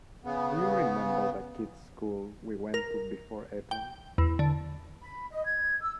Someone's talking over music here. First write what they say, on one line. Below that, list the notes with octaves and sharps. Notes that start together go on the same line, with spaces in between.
Do you remember that kids' school we went to before Eton?
C#3 B3
A#4
G5
E2
D3
B5
D#5
G#6
E6